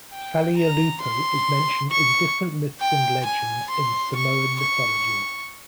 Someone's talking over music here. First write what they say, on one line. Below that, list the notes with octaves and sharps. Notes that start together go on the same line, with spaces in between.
Falealupo is mentioned in different myths and legends in Samoan mythology.
G5
A#5
C6
C#6
G5
G#5
C6
C#6
C#6